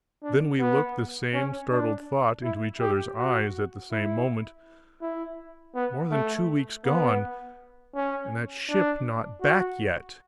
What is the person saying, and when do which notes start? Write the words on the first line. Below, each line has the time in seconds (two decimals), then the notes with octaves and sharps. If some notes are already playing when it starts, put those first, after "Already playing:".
Then we looked the same startled thought into each other's eyes at the same moment; more than two weeks gone, and that ship not back yet!
0.23 D4
0.60 B3
1.34 C#4
1.71 D4
2.43 E4
2.80 G4
3.18 F#4
3.92 E4
5.01 E4
5.75 B3
6.11 A3
6.85 B3
7.95 C#4
8.69 D4
9.42 F#4